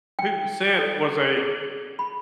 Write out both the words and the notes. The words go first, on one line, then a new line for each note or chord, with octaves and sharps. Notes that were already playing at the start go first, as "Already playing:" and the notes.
Putin sent was a
G5
A4
G#4
B5